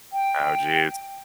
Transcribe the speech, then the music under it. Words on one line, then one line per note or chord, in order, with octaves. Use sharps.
Oh, jeez.
G5